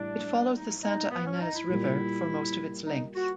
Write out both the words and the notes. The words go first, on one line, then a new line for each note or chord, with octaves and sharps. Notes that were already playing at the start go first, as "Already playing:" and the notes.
It follows the Santa Ynez River for most of its length.
Already playing: A2 E3 G3 D4
D#4
D#4
B3
C#4
D#4
E4
A#2 G3 A#3
D#4
F#4